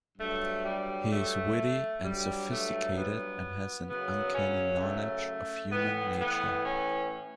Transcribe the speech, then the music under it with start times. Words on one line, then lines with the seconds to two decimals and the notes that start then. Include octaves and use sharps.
He is witty and sophisticated and has an uncanny knowledge of human nature.
0.18 G2 F#3 A3
0.64 G3
1.11 A3
2.03 G2 F#3 G3
2.48 A3
2.96 B3
3.87 F#2 C#3 F#3 B3
4.33 C#4
4.80 A3
5.71 A2 E3 B3
6.18 B3
6.64 C#4